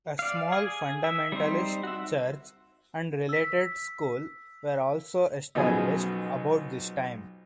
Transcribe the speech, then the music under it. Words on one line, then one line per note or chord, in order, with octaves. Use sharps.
A small fundamentalist church and related school were also established about this time.
D5 F5
G#4 G#5
E5
G3 C4 D#4 C5
F#4 E5
E6 B6
B1 F#2 B2 F3 G#4 G#5